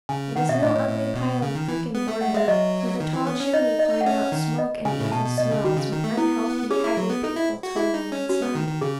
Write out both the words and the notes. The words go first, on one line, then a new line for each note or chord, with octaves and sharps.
It is no ugly pile of brick and mortar, with a tall chimney pouring out smoke and evil smells, with unhealthy, haggard people toiling inside.
C#3 G#5
D#3 F#5
B2 E5
A2 D#5
A2 C#5
A2
B2
C#3
D#3
E3
B3
A3
A3 F#5
G#3 E5
F#3 D#5
D#3
E3
B3
C#4
D#4 D#5
D#5
F#5
C#4 E5
D#3
D#5
C#3 G#5
A2
B2 A5
B2
B2 D#5
C#3
D#3 F#4
C#3
D#3
A3
B3 E4
C#4 G#4
E4
F#3
B3
D#4 A4
E4
F#4
E4 G#4
D#4
C#4
C#4 F#4
B3
D#3
D#3
C#3 G#4